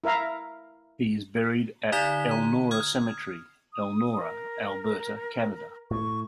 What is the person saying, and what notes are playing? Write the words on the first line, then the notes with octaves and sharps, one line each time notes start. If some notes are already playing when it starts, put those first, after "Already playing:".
He is at buried at Elnora Cemetery, Elnora, Alberta, Canada.
E4 A#4 E5 F5 A#5
D3 D#4 D5 G#6 B6 G7
A#5
D#6 F6 G#6
D#6
A#4
A2 C#6